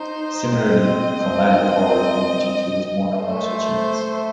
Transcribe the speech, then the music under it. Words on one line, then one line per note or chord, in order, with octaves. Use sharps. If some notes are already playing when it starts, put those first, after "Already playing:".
Similarly, a chromatic chord is one which includes one or more such notes.
Already playing: D#4 C5
C4 D#5
A3 C5